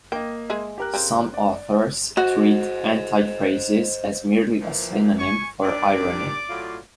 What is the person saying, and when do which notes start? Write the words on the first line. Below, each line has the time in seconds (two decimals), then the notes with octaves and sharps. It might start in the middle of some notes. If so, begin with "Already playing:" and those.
Some authors treat antiphrasis as merely a synonym for irony.
0.12 A#3 D#5 G5
0.50 G#3 G#4 E5
0.78 G4 A#4 F#6
0.94 C#3 C4 G5
1.34 D5
2.17 F#4 C5 D#5
4.60 A#2 E3 F3
5.18 G#5 C#6
5.63 D#2 G3 D4 D5 D6
6.49 A2 F#3 F4